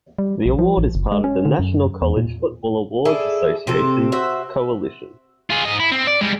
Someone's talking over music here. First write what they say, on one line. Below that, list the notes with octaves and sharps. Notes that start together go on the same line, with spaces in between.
The award is part of the National College Football Awards Association coalition.
G3
A#1
F3
A1
F#1
G#3
C#4
D3
F#2
E2
A#2
E4 G#4 A4 D5
C3 C4 A4
F#4 C5 E5
F4 G#4
G#2 D#5
E4
C4
D5
G3 G#3